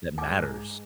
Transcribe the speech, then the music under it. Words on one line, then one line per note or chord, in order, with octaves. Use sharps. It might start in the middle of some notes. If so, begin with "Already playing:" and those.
that matters.
G#2 G#5 D6